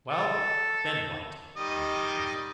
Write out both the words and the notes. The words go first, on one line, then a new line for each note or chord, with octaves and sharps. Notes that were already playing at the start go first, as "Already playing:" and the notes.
"Well, then what?" Harrington asked.
A4
D#3 G3 D#5